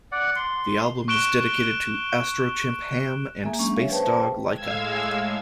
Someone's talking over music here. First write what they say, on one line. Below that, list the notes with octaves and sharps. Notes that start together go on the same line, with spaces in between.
The album is dedicated to "Astrochimp Ham and Spacedog Laika".
D5 F#5
C6
C#6 F#6 D7 E7 G7
A#3 G#4 E5 G#5
F#3 G#3 C#4 D4 C#6
C#5 E5 F5
G#4 B4 C5 G5 A5
A2 G#3 F5 E6 G#6 E7